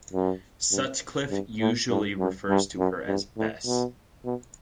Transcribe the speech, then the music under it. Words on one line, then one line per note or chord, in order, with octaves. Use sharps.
Sutcliff usually refers to her as "Bess".
F#2
G2
G2
A2
G2
F#2
G2
F#2
G2
A2
B2
B2